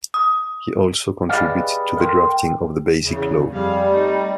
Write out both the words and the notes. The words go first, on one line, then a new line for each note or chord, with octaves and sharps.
He also contributed to the drafting of the Basic Law.
D#6
G4 G#4 B4 D5 D#5 F5
A4 A#4 G5 C6
G5
E2 C#3
F2 G3 G#4 F5
A3 C4 D#4